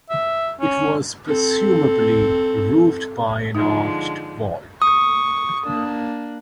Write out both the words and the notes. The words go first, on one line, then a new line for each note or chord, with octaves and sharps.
It was presumably roofed by an arched vault.
E5
C#4
C4 A4
D3 F3 G#3 D#4
C#6 D#6
A#3 D4